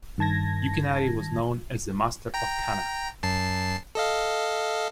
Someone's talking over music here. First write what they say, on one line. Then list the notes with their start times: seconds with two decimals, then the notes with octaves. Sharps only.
Yukinari was known as the master of kana.
0.18 G2 D#3 A5 G#6 A#6
2.34 G5 A#5
3.23 F#2 A5 C7
3.95 A4 D#5 F5